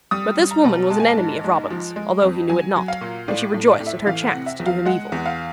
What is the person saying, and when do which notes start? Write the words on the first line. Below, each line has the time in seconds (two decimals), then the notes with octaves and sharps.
But this woman was an enemy of Robin's, although he knew it not; and she rejoiced at her chance to do him evil.
0.11 G3 D#6
0.39 G3
0.51 A#5
0.64 B2
0.90 G#3 A5
1.00 G#5
1.10 A5
1.17 G#2
1.44 G#3
1.70 F3
1.96 G#3
2.22 F2
2.49 F#3 G#5
2.76 F#3
2.88 F5
3.01 A#2
3.28 A2 D5
3.54 A2
3.67 D5
3.80 A2
3.87 E5
4.07 E3 F5
4.27 F#5
4.34 C3
4.46 E5
4.60 E2
4.66 F5
4.85 G#3 F#5
5.12 E2
5.26 F5